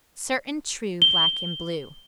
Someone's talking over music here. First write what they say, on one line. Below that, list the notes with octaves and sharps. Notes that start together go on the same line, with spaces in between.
Certain, true, Black and blue.
G7